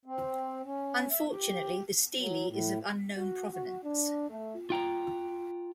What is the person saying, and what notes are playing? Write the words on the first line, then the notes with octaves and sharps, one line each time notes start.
Unfortunately, the stele is of unknown provenance.
C4
C#4
E5
G4
F#3
A2
F#4
F#4
D4
A3
F4 G5 A#5